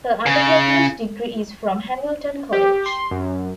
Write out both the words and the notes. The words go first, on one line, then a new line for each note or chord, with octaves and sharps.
Her undergraduate degree is from Hamilton College.
C#3
G4
C6
F#2